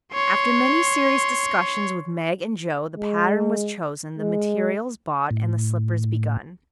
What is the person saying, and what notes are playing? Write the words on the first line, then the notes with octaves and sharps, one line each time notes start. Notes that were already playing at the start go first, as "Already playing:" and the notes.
After many serious discussions with Meg and Jo, the pattern was chosen, the materials bought, and the slippers begun.
C#5 C6
G#3
G#3
A2